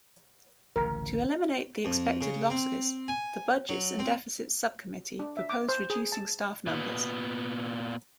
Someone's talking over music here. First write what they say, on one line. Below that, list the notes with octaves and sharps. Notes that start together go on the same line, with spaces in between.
To eliminate the expected losses, the budgets and deficits subcommittee proposed reducing staff numbers.
D1 A1 C#3 A#4
F2
C#3
C4
G#5
F#3
C4
D4
E5
D6
C5
G#4
A5
A#2 B3